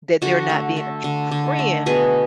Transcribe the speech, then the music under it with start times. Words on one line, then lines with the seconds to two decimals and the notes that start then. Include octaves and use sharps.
that they're not being a true friend,
0.22 D3 F#4
0.49 A3
0.76 A3
1.04 D3
1.31 D3
1.59 A3
1.86 B2 G#4